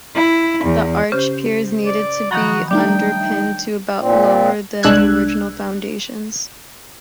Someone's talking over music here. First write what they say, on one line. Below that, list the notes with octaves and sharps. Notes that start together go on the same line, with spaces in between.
The arch piers needed to be underpinned to about lower than the original foundations.
E4
E2
C#3 C#4 G4 C5
D5
D#3 F3 F#3 F#4 A#5 B5 D#6
G3 A3 D4 D#4 G5
A#2 C4
C2 G#3 D4 E6 F#6 G#6